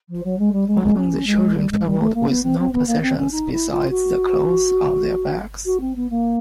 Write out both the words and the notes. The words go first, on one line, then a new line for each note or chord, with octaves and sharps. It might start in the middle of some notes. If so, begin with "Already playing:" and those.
Often the children traveled with no possessions besides the clothes on their backs.
F3
F#3
G#3
G3
G#3
G#3
C#4
G#3
G3
G#3
G3
A3
A#3
B3
C4
C4
B3
A#3
C4
C#4
D#4
E4
F4
F#4
F#4
C4
B3
A#3